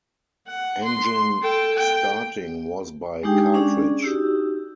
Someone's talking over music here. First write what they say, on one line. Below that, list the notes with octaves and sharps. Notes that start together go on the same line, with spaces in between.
Engine starting was by cartridge.
F#5
C6
A4 G5
G5
G#3 D4 D#4 G4 G#4 G5
C#4 D4 G#4 D5
D#4 F#4 G4 E6